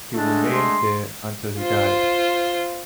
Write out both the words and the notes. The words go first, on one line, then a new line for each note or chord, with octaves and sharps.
He remained there until he died.
D3 G#3 A3 D4
C6
F4 C5